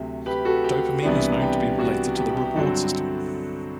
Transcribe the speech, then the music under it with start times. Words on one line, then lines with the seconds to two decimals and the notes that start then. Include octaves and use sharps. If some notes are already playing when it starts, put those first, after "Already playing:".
Dopamine is known to be related to the reward system.
Already playing: D2 C3 F#3
0.26 G4 B4
0.45 F#4 A4
0.64 G4
1.02 C2 C3 E3 B3 D4
1.41 G4
1.79 F#4
2.17 G4
2.37 G4
2.56 G2 D3 F#3 C4 F#4 A4